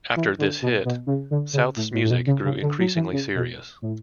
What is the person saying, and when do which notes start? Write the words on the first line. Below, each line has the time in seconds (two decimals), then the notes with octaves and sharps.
After this hit, South's music grew increasingly serious.
0.16 E3
0.39 D3
0.62 B2
0.85 B2
1.07 C#3
1.31 D3
1.53 C#3
1.76 A2
1.93 A2
2.04 A2
2.11 B2
2.27 C#3
2.44 C#3
2.62 D3
2.79 F#3
2.95 E3
3.12 C#3
3.35 B2
3.82 A2